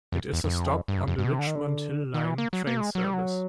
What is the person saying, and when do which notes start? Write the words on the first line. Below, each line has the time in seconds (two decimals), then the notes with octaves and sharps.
It is a stop on the Richmond Hill line train service.
0.12 F2
0.33 E2
0.44 F2
0.88 G2
0.97 F#2
1.08 F2
1.18 G2
1.25 B2
1.29 C3
1.39 D3
1.47 D#3
1.55 D3
2.14 D#3
2.24 E3
2.38 A#3
2.53 F#3
2.67 A#3
2.77 A3
2.80 G#3
2.95 F#3
3.04 G3
3.14 F#3